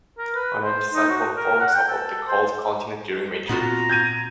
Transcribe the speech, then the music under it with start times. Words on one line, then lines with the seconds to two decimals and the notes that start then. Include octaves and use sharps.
An anticyclone forms above the cold continent during winter.
0.19 A#4
0.35 B4
0.64 C5
0.93 D#4
1.10 F#4
1.36 A#4
1.60 F#5
1.75 G5
1.88 A4
2.28 C5
3.49 A#2 B3 C4 F4 F#4 A#5
3.89 G6 G#6 D#7